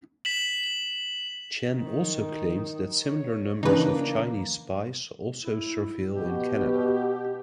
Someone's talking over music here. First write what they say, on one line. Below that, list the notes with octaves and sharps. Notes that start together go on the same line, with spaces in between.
Chen also claimed that similar numbers of Chinese spies also surveil in Canada.
B6 E7 F#7
D#3
C#5
C#3 E3 A#3 D4 D#4 B4
E4
B2 G4